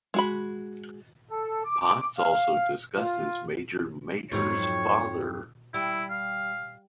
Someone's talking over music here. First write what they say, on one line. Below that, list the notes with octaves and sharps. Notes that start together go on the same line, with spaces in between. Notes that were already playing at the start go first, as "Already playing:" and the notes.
Potts also discusses Major Major's father.
G#3 F#4 B5
A4
D6
F5
F4
F2 G#2 F#3 C#5
G3 E4
F5